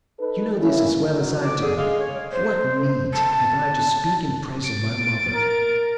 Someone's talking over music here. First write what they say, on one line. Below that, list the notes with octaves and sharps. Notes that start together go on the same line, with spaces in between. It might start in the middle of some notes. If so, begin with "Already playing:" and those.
You know this as well as I do; what need have I to speak in praise of my mother?
D#4 A4 B4
A#3 C#4 E4
F#3
D6
D3 G#4
G#3 F5
C#5
C5
A5
A6 D7
A#4